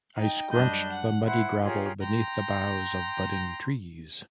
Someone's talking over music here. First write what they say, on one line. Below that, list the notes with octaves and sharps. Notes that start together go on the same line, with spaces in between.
I scrunched the muddy gravel beneath the boughs of budding trees.
D#4 G5
F#2 G3 D4 D#5 G6
F#5
E4 C5 F#5
F4 G4 G#4 A#4 C#5
G5 A#5 C6